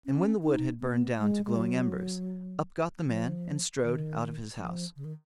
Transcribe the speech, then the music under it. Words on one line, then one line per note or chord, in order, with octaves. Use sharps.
And when the wood had burned down to glowing embers, up got the man and strode out of his house.
C#4
D#4
B3
G#3
G#3
F#3
F3
D#3
F3
C#3
D#3